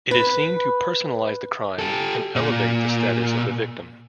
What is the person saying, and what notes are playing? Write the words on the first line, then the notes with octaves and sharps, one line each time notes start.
It is seen to personalize the crime and elevate the status of the victim.
B4
G4 A4
A#2